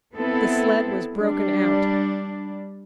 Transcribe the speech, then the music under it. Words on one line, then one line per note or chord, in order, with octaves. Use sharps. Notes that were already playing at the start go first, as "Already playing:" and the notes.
The sled was broken out.
B3 C4 E4 A4
G3 D4